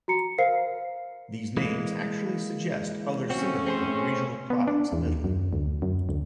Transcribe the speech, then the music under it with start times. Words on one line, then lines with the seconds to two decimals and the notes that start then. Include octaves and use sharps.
These names actually suggest other similar regional products of Italy.
0.08 F#4 A#5 C#7
0.38 A#4 C5 F5 C7
1.57 E3 G#3 A#3
3.29 A#2 A3 C4 C#4 F#4
3.66 C4 G#4 C5
4.50 B3
4.67 D4
4.92 E2
5.06 D#2
5.24 F#2
5.53 D2
5.82 F#2
6.09 D2